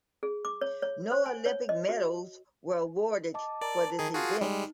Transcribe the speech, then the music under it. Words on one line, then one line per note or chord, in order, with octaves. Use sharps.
No Olympic medals were awarded for this event.
G#4
D6
C#5
C#5
C5
G#5
C#5
D#5
F#4
D#5 A5 D6
A#4 D5 A5 A#5
D#3 G#4
F4 F#4 G#4
G3 G#3 D#4